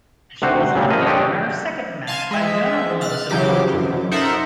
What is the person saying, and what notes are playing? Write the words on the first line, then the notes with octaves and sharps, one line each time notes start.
She was eliminated in her second match by Joana Ramos of Portugal.
D2 C3 F#4 C5
A#2 C#3 F#3 G3 A#3
F3 A#3 F4 G#4 B4 D#5
D4 G4 A4 C#5 D#5
F5 G#5 A5 C6 D#7
G#3 E5
F6 F#6 A6
C#3 E3 F#3 G4 D6
F#2
D#4 A4 A#4 C5 E5 F#5